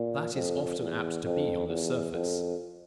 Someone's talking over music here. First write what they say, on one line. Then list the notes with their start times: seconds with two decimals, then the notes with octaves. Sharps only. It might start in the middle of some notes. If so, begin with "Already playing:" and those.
That is often apt to be on the surface.
Already playing: A#2
0.35 F2
0.79 E2
1.24 F2
1.69 E2
2.14 F2